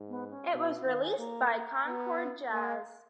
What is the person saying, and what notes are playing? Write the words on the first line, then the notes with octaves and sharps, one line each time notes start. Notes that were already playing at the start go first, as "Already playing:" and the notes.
It was released by Concord Jazz.
Already playing: G#2
B3
C#4
B2 D#4
F#4
D#3 F5
G#5
A#3 A#5
B3
A#3 G#5
F#5
F5